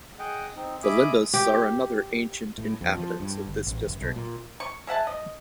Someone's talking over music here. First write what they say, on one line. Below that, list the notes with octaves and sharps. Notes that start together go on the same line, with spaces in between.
The Limbus are another ancient inhabitants of this district.
G#4 D#5 F#5 G5
C4 D#4
D#5 E5 G#5 B5 D6 D#6
G4
A2
F2
F3
G2
G1
A1
F#1
B1
A#2
C#6
G#3 E5 F#5 A5
D#5